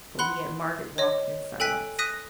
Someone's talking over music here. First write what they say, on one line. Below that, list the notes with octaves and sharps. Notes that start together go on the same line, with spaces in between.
So he and Margaret walked in silence.
F#5 B5 C6 F#6
C#5 D#5
A4 G5 G#5 F#6 B6
D#6 F#6 A#6 B6 D#7